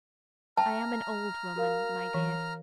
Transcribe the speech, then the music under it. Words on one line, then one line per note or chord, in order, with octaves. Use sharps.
I am an old woman, my dear.
E5 G5 A5 A#5 F6
F#4 A#4 F5
E3